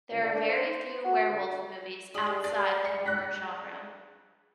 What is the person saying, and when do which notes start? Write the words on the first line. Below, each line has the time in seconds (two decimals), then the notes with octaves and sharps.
There are very few werewolf movies outside the horror genre.
0.10 C#2
0.22 D3
0.34 D4
0.48 C5
0.70 C5
1.04 F#4
1.30 D3
2.14 G3 G4 G#4 D#6 F#7
2.44 D4 G#4 A6
2.85 C#7
3.05 F#6 A#6 B6